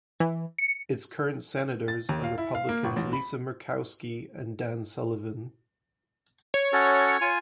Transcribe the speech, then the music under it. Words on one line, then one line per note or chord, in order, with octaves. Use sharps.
Its current senators are Republicans Lisa Murkowski and Dan Sullivan.
E3
C#7
A6
D#2
F5
E4
F5
A#3
G1
A1
B5
C#5
C#4 F#4 A4
F4 G#5